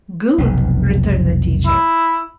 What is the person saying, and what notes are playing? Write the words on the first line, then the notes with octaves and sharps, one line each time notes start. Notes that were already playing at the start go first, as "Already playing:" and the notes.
"Good!" returned the teacher.
F1 B1 F2
E4